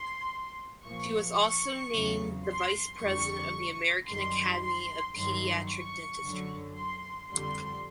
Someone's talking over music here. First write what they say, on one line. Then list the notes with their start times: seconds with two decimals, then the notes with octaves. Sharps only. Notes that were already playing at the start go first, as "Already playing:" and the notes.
She was also named the vice president of the American Academy of Pediatric Dentistry.
Already playing: C6
0.84 A#2 F3 C#6
1.39 C#6
1.91 E2 C#3 F#3
2.46 C6
3.00 F2 D3 G3 C#6
4.07 F#2 D#3 G3 C6
4.61 C6
5.15 G2 D#3 F#3 C6
5.69 C#6
6.22 F#2 D3 F#3
6.76 C6
7.30 F2 D3 G3 C6